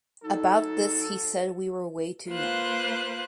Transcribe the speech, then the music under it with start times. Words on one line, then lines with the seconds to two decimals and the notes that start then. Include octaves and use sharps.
About this he has said "we were way too young".
0.23 F#3 D#4 A4
2.29 A#3 F4 B4 C5 F#6